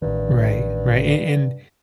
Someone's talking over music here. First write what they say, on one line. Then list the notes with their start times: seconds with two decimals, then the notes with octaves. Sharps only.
Right, right, and and
0.02 A1 G2 D#3